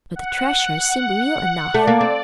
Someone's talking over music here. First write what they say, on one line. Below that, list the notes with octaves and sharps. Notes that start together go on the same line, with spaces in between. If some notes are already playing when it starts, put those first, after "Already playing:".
But the treasure seemed real enough.
F#5
F#5
A3 D5
A#3
C4